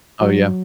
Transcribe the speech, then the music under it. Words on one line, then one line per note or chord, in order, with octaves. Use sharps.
Oh, yeah.
F#3